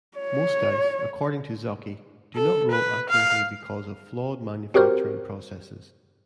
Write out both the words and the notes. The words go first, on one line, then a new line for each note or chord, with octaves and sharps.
Most dice, according to Zocchi, do not roll accurately because of flawed manufacturing processes.
C#5
A4
B4
F5
C4 F#4 G4 A#4 C5